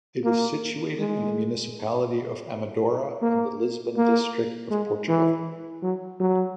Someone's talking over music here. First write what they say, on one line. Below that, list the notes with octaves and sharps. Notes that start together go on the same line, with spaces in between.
It is situated in the municipality of Amadora in the Lisbon District of Portugal.
A#3
G#3
A#3
A#3
G#3
E3
F#3
F#3